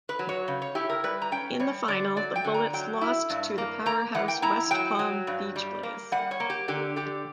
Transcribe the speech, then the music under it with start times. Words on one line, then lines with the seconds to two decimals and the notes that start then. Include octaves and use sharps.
In the final the Bullets lost to the powerhouse West Palm Beach Blaze.
0.09 B4
0.19 F#3
0.29 C#5
0.48 C#3
0.62 C#5
0.75 E4 G4
0.90 A#4
1.04 G3 B4
1.22 A#5
1.32 C#4 G5
1.60 G3 C#5
1.88 D3 D5
2.16 F#3 D5
2.36 G5
2.44 D3
2.54 A#5
2.73 F#3 G5
3.01 E4
3.30 G2
3.58 A#3
3.86 A#3 A#5
4.15 E3 F#5
4.28 G5
4.42 E4 A#5
4.71 F#3 G5
4.99 F#3
5.27 G2
5.56 G3
5.83 A#3
6.12 G3 F#5
6.31 C#5
6.40 A#3
6.50 G4
6.68 D3 G4
6.96 D3 G4